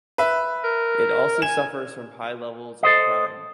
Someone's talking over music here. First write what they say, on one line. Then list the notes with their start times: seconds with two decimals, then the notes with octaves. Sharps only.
It also suffers from high levels of crime.
0.18 B4 E5
0.64 A#4
1.42 G#5 E7
2.83 A4 C5 D#5